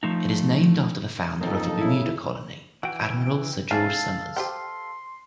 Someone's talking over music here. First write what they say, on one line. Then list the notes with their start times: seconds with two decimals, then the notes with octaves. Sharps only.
It is named after the founder of the Bermuda colony, Admiral Sir George Somers.
0.03 F3 A3 D#4
1.41 F2 F3 F#3 A#3 C4 D#4 A4
1.81 C#3 E4
2.83 E3 F#4 G5
3.71 E3 C#4 D4 A4 F5 A5
4.36 G4 C5 G5 C6